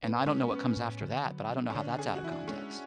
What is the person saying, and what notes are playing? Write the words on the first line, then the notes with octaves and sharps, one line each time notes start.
and I don't know what comes after that, but I don't know how that's out of context,
A2 B3
G#3 C#4
B3 C#4
A2
D3
F#3
B3
C#4
D3 D4
C#4 G#4
F#4
E3 E4
D4
G#3 C#4